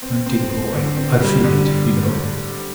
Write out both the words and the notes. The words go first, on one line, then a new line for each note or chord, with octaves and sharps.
My dear boy, I feel it, you know.
C4
C4
C4
D3
C4
G3
D3